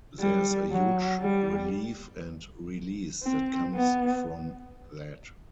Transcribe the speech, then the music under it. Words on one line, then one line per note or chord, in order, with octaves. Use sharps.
There's a huge relief and release that comes from that.
G3
F#3
G3
C4
B3